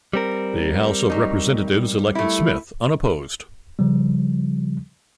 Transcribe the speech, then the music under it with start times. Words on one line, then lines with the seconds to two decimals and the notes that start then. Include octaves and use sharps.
The House of Representatives elected Smith unopposed.
0.13 G3 C4 A#4
1.10 F#3 D#4
2.15 A3 E4
3.79 C#3 F3 G3